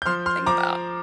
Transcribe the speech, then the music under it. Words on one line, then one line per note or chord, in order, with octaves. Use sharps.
thing about
G6
F3 C6 F6
C6 F6
F3 A#5 D6